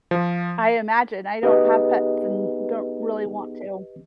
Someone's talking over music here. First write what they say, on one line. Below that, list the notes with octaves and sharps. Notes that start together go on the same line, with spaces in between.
I imagine, I don't have pets and don't really want to.
F3
B3 D#4 G4 G#4 B4 D#5